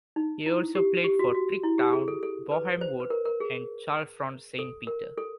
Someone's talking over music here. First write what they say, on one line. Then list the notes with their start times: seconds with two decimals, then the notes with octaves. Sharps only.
He also played for Tring Town, Boreham Wood and Chalfont Saint Peter.
0.16 D#4
0.46 E4
0.75 G4
1.04 G4
1.19 F#4
1.35 F#4
1.63 E4
1.78 G4
1.93 G#4
2.08 A4
2.23 A4
2.51 B4
2.81 C5
3.00 B4
3.10 A#4
3.25 A#4
3.40 G#4
4.59 A4
4.87 A#4
5.18 A4